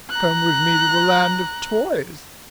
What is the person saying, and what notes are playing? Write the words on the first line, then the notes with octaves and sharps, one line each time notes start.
Come with me to the Land of Toys.
A#5 F#6